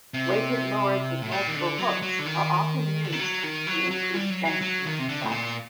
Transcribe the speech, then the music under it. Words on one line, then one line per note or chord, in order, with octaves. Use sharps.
Weighted lures with multiple hooks are often used to increase chances of success.
C3
A2
A#2
D#3
D3
F#3
F#3
D3
D#3
D3
D#3
F#3
D#3
F#3
F#3
G3
F#3
F#3
F#3
D#3
C3
D3
A2
A#2